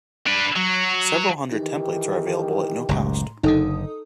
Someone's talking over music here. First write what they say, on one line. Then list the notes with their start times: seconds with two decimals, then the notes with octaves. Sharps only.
Several hundred templates are available at no cost.
0.27 D4 B4
0.56 F#3
1.52 D#3 E3 D#4 G4
2.89 F#1 C#2 A2 A#5 C6
3.43 F#1 D3 D#4 A4 D#6